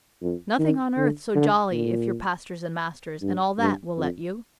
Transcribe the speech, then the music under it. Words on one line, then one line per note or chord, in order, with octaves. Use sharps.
"Nothing on earth so jolly if your pastors and masters and all that will let you."
F2
D#3
D3
D3
A#2
G2
G2
F2